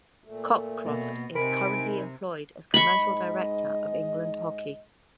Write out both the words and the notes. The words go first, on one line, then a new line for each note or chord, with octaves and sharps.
Cockcroft is currently employed as Commercial Director of England Hockey.
A#2 A3
B2 A#3
C3 D#4 A#4 G#5 B5 D7
G#2 D#5 B5 C#6